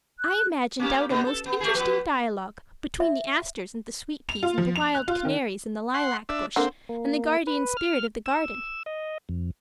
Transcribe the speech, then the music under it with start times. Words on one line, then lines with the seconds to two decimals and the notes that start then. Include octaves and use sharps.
I imagined out a most interesting dialogue between the asters and the sweet peas and the wild canaries in the lilac bush and the guardian spirit of the garden.
0.19 F#6
0.80 A#3 C#4 G4
1.10 C3 B3 D#4
1.27 A4
1.46 B3
1.61 A3 G4 G#4
1.74 F3 B3 B4
3.00 E5
4.29 F7
4.43 F4
4.58 F3
4.76 F7
4.95 F#6
5.08 F4
5.25 D#3
5.94 F#5 C6
6.29 D4 E5
6.56 D3 A#3 C4
6.89 A#3
7.47 B4
7.77 F6
8.26 E6
8.86 D#5
9.29 F2